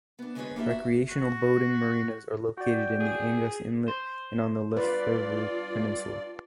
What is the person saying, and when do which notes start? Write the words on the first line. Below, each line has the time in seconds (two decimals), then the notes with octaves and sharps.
Recreational boating marinas are located in the Angas Inlet and on the Lefevre Peninsul.
0.19 B3 D4
0.35 D3 G#3 G#4 A#4 B4 C#5
0.56 A#3 E4 G4 A4 D5 E5
0.71 F#4
1.09 F#4
2.57 F#4 D5 G5
3.00 G#4
3.88 C5
4.77 G2 F4 B4 D5